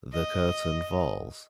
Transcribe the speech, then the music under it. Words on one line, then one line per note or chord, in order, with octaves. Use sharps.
The curtain falls.
D#5